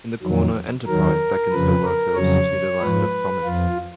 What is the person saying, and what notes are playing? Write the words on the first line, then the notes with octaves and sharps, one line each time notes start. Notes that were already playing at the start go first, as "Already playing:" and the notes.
In the corner "Enterprise" beckons the workers to the Land of Promise.
F2 D#3 F#3
D#2 D#3 F#3 A#4
F2 C#3 F3 B4
A#4
F2 C#3 F#3 C#5
G#2 F3 B4
F2 F3 F4